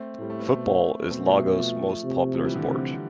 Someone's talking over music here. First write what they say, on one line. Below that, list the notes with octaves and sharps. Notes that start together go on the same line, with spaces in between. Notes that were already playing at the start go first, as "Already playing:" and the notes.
Football is Lagos' most popular sport.
Already playing: A3 C4
A2 G3
A3
B3
B2 A3 C4
B3
B2 A3 C4
F3 A3
F3 A3
F3 A3
C3
F3 A3
E3 G3
D3 F3
C3